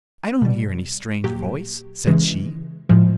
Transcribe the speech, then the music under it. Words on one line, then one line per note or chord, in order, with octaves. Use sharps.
"I don't hear any strange voice," said she.
B2 G3
A#2 F#3 G4
C#3 E3 G#3
A2 F3 G#3